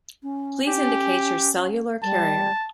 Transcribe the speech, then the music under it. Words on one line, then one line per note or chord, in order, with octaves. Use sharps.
Please indicate your cellular carrier.
C#4
G4
G3 A5